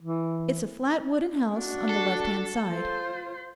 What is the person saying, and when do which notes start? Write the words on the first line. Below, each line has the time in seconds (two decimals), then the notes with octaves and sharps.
'It's a flat wooden house, on the left-hand side.
0.02 E3
1.55 D4 F#4
1.89 A4
2.68 F4 C5